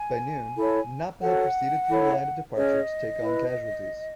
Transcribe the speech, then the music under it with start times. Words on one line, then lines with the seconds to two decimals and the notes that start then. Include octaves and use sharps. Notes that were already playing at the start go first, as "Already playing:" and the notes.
By noon, "Napa" had proceeded from the line of departure to take on casualties.
Already playing: G#5
0.56 E4 A4 C#5
1.21 F#4 A4 C#5 F#5
1.88 E4 A4 C#5
2.55 C#4 G#4 C#5 D#5
3.21 E4 B4